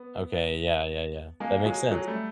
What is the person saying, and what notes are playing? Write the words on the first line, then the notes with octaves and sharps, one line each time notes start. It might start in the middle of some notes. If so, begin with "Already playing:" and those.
Okay, yeah, yeah, yeah. That makes sense.
Already playing: B3
G#3 A#3
F#3 G#3
F#3 G#3
G3 A3